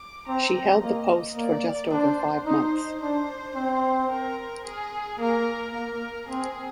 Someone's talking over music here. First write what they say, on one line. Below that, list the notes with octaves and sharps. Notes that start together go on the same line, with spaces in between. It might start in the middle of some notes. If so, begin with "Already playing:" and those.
She held the post for just over five months.
Already playing: D6
C4 A#5
A#3 D#5
A#3 D5
D4 C5
D#4 C5
D4 C5
C4
A#4
G#4
A#3 A#4
A#3 A#4
C4 G#4